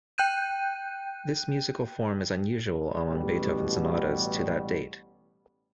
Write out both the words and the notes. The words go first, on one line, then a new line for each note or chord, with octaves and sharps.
This musical form is unusual among Beethoven sonatas to that date.
G5 F#6 G6 D#7
A1 B2 G3